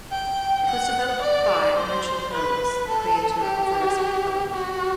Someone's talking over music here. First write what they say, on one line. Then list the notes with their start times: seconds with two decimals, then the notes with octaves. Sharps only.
It was developed by Mitchell Hurwitz, the creator of "Arrested Development".
0.11 G5
0.66 F#5
1.22 D5
1.78 C5
2.32 B4
2.88 A4
3.43 G4
4.54 F#4